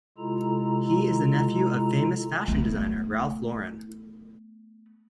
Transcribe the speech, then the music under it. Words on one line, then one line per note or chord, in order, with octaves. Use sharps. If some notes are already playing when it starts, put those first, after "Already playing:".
He is the nephew of famous fashion designer, Ralph Lauren.
C3 G#3 E4 F4 A4 A#5
A3 B3